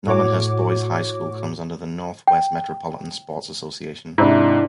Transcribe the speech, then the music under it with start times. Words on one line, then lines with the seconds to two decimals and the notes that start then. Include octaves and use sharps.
Normanhurst Boys High School comes under the North West Metropolitan Sports Association.
0.07 A2 F#4 C#5 D6
2.27 G5
4.18 G#2 C3 D4 E4 A#5